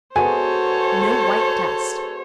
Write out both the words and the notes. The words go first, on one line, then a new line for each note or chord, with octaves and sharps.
No white dust.
G#3 B3 F#4 A4 C5 C#5 G#5